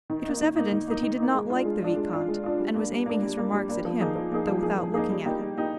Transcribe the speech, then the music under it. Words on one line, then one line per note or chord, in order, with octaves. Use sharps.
It was evident that he did not like the vicomte and was aiming his remarks at him, though without looking at him.
D#3
A#3 D#4
D#3
A#3 D#4
D#3
A#3 D#4
D#3
A#3 D#4
G#3
D4 F4
G#3
D4 F4
G#3
D4 F4
G#3
D4 F4
G3
A#3 D4
G3
A#3 D4
G3
A#3 D4
G3
A#3 D4
F3
A#3 D#4 G#4
F3
A#3 D#4 G#4
F3
A#3 D#4 G#4
F3
A#3 D#4 G#4
G3
A#3 D#4 G4
G3
A#3 D#4 G4